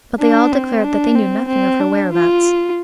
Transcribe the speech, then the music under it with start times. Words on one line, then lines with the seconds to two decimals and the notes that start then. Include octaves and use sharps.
But they all declared that they knew nothing of her whereabouts.
0.20 D4
0.52 C4
0.84 D4
1.16 C4
1.48 C4
1.80 D4
2.13 F4